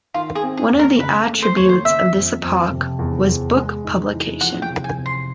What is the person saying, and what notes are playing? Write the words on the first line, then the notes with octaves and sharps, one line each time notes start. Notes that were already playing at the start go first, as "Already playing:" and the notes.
One of the attributes of this epoch was book publication.
D#3 F4
G#4
C4
G#4
D#2
A#4
C#3 B4
A3
C5
D#2 C#5
C5
C#3 E5
F2
F2
C3
E2
E2
G#3
D#4
E3
F3 F#5
G5
C3
G#5
C3
C6